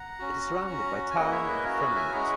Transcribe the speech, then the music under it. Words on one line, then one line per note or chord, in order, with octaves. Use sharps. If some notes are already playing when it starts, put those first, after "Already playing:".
It is surrounded by Town of Fremont.
Already playing: F#5 A#5
C#4 F#4
C#4 F#4 F#5 A#5
G#5
A#3 E4 G#4 D#5 F#5
C#5 E5
B4 D#5
C#4 F#4 A#4 C#5
G#4 B4
E5 G#5
G#3 C#4 E4 G#4 F#5 A#5